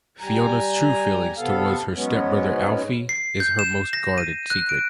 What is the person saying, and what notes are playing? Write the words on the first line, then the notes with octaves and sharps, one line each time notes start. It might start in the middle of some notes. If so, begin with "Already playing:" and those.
Fiona’s true feelings towards her stepbrother Alfie is her most guarded secret.
G3 G#5 A#5
C3 B3 A4 F5
G#2 F#3 G#3 B3 C#4
C7
G6
E7
A#6
D#7
F#6
D7